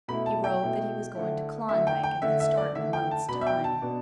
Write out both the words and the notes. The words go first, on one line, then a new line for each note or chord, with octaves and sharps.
He wrote that he was going to Klondike and would start in a month's time.
B2 A3 E4 B5
A5
G5
B2 A3 E4
D3 A3 E4
D3 A3 E4 E5
G5
G5
D3 A3 E4 E5
E5
D5
D3 A3 E4 E5
G5
A5
B2 B3 D4 B5
E5
G5
A5
B2 B3 D4